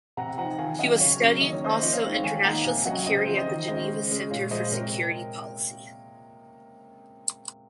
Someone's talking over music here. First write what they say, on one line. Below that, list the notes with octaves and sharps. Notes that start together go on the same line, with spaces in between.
She was studying also international security at the Geneva Centre for Security Policy.
C3 F#5 A#5
F3 C4 D#4 F#5 A#5
D#3 F5 G#5
F#3 C#4 D#5 F#5
C#3 C#5 F5
F#3 A#3 C#4
D#3 D#5
C#5
A#3 C#4 C5 D#5
F3 C5 D#5
C#5 F5
G#3 C4 D#4
C#5 F5
D#3 F5 G#5
A#3 D#4 F#5 A#5
C3 F5 G#5
F#3 C#4 D#5 F#5
C#3 C5 D#5
C5
F3 C4 C5 D#5
C5 D#5
D#3
G#3 C#4 C5 D#5
C#3
G#3 C#4
A#2 C#5 F5
F3 G#3 C5 D#5
C3 A#4 C#5